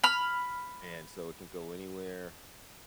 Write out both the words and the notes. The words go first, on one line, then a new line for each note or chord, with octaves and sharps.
And so, it can go anywhere
B5 F6